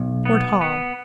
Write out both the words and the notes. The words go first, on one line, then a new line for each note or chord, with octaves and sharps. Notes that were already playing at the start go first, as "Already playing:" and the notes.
Fort Hall.
Already playing: B1
B3
B3